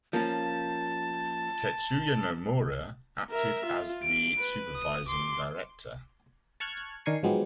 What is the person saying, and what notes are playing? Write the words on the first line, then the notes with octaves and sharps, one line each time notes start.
Tetsuya Nomura acted as the supervising director.
F3 A#3 C#4 A5
A#4 E5
F4
D7
B4
D#6
C6 D6
A5 C#6 F6 F#6 G#6
D#3 D4 A#4 G#5 C#6 C7
G#2 F3 F#3 G#3 B3 G4